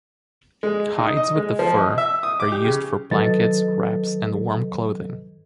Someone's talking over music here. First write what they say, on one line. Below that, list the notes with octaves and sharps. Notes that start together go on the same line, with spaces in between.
Hides with the fur are used for blankets, wraps, and warm clothing.
G#3
D#4
D#5
G#3
F3
D#5
E5
D#6
D6
G4
C#3
D#3 F#3 A4 B4 D#5 A6